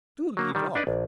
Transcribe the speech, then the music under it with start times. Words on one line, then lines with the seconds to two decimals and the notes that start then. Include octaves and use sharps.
Do leave off!
0.37 F#3 A#3
0.55 D#3 G3
0.75 D4 D#4 B4 D5
0.87 A#1